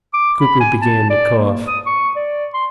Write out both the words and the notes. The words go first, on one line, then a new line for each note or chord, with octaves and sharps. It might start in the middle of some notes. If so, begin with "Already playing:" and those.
Cooper began to cough.
D6
B5
G#5
A5
D5
A#3
D#6
C#6
D5
C6